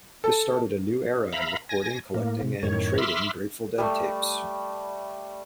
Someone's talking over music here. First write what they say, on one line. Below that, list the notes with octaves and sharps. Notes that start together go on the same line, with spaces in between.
This started a new era in recording, collecting, and trading Grateful Dead tapes.
A4
E5 F5 A#5 B5
G#5 A#6
A2 A#3
C3
F#2 A2 D#3 C#5
E5 B5 C6 D6 E6 F6
G3 A3